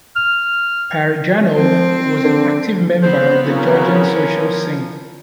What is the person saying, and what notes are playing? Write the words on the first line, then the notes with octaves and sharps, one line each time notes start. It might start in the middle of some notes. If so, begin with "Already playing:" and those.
Parajanov was an active member of the Georgian social scene.
F6
F3 C4
D3
B3 C4 C5
C#3 F#3 C#4 E4 A#4
F3